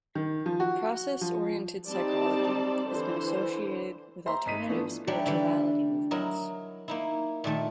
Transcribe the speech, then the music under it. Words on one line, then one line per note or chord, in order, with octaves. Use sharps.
Process oriented psychology has been associated with alternative spirituality movements.
D#3
F3
F#4
F3
G3 C4 D#4 D5 A5
D3 E3 C5
C5 E5 A#5 C6
G#1 D#5 B6 D#7
E3 F3 A3 B3 D4
F#3 G3 A3 D4
D3 E3 G3
F#3 E4 A#4 D#5
A#3 D#4 E4
A#2 D#3 A3 A5